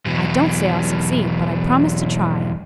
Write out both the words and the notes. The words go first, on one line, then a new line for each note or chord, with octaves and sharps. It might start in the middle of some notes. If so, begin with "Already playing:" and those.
I don't say I'll succeed, but I promise to try.
E2 B2 E3 F#3